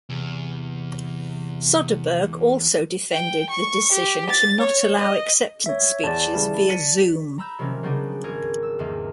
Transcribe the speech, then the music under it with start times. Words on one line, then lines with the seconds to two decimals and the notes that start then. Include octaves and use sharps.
Soderbergh also defended the decision to not allow acceptance speeches via Zoom.
0.10 E2 C3
3.13 G5
3.50 C#6
3.92 G4
4.30 A6
4.61 C#5
4.99 D#5
5.66 C#5 E5
6.04 E2 D5 A5
6.34 C#3 E3 G3
6.69 B6 C#7 D#7
7.38 A#5 B5 E6 G6
7.59 C3 D#3 F3 F#3 A#3 C#4
7.83 C#3 F#3 G3 B3 D4 D#4
8.24 G#1 G#4 A#4 G#6
8.63 E6
8.79 E2 G#2 D#3 A#3 D#4